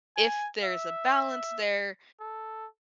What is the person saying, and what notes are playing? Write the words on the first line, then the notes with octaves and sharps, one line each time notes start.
if there's a balance there
G#5
E5
A4